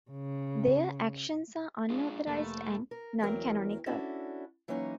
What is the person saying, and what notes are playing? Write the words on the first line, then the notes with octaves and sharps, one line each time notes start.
Their actions are unauthorized and non-canonical.
C#3
G#3 D4 F4
F1 A3 A#3
A#4
E2 E3 F#3 A#4 G5
C#4 D4 E4 F#4 A4
E3 F#3 A#3 C#4 D#4 C#5